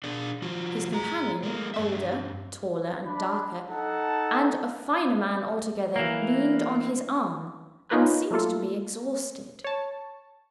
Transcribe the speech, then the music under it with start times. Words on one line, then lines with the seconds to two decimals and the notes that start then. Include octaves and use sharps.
His companion, older, taller, and darker--and a finer man altogether--leaned on his arm and seemed to be exhausted.
0.04 D4 G#4 D5
0.42 F3 F4 F#4
0.93 G#4 A#5
1.43 G#3 A#3
1.74 G2 G#3 E5
3.05 D4 B5
3.68 D#4 A4 F#5 A5
5.96 E3 A#3
7.90 C#4 D#4 F4 A#4 B4
8.31 F#3 A3 A#3 F4 A4
9.64 C#5 A5